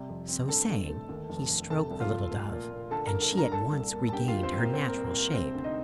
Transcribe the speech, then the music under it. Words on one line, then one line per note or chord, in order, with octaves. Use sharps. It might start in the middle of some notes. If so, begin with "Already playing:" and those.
So saying he stroked the little dove, and she at once regained her natural shape.
Already playing: C3 G3
F2
C4
G2 A4 A5
G1
A3
D#2
F1
F1
C3 A4 A5
C2
F4 F5
A3
A3
A#2
A#2
D3 A4 A5
A#4 A#5
G2
A4 A5
G2
A#4 A#5
A#2 A4 A5
C2
A#3
A5
G2 G4 G5
G1 F4 F5
C4 C5
G1 A#3 A#4
A#2 C4 C5
A#3 A#4
C2
A#3 A#4
C2
A#3 A#4
A#4
C3 C4 C5
D2
D#4 D#5